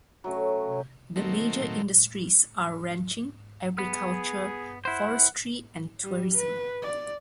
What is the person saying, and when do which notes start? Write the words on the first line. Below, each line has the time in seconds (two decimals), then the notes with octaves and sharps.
The major industries are ranching, agriculture, forestry, and tourism.
0.24 F#3 A3 C#4
1.16 D#3 F#3 A3 A#3 C4
3.78 B3 G#4
4.85 E4 C5 F#5
6.03 G3
6.35 B4
6.82 D5